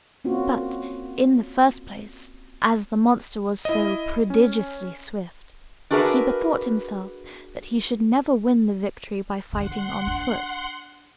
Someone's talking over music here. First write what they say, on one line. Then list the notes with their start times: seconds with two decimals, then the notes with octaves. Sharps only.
But, in the first place, as the monster was so prodigiously swift, he bethought himself that he should never win the victory by fighting on foot.
0.25 A#3 C4 C#4 F4 F#4
3.65 E4 D#5
4.30 C#4
5.91 D4 F#4 G#4 A#4 B4 E5
9.53 D3 F#5 C6
10.07 D4